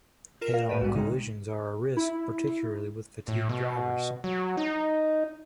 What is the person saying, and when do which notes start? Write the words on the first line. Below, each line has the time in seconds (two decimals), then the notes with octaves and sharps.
Head-on collisions are a risk, particularly with fatigued drivers.
0.41 F4 A#4 E7
0.54 F5
0.69 A#2 G4 B4 D5
0.81 B1 G#2 G3 F#4
0.95 C#3 G#3 D#4
1.97 E4
3.28 A2
3.49 B2
4.24 F#3
4.57 D#4